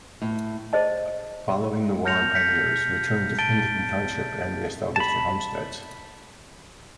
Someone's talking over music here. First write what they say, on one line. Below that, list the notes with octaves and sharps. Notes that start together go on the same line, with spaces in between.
Following the war the pioneers returned to Clinton Township and reestablished their homesteads.
A2
G#4 C5 D#5 A5
A5 F6 G6 A#6 C#7 F7
G6 B6 C#7
A5 A6 D7 G7
A5 B5